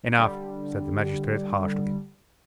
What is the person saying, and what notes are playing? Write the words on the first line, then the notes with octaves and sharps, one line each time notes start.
"Enough," said the magistrate, harshly.
D3 G3